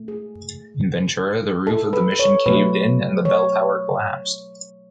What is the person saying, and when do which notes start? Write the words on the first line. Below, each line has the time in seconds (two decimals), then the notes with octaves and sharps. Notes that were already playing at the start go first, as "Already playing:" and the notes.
In Ventura the roof of the mission caved in and the bell tower collapsed.
Already playing: B2 A3
0.08 G#4
1.67 A4
1.93 B4
2.19 C#5
2.46 B2 F#3 A3 B4
3.25 C#5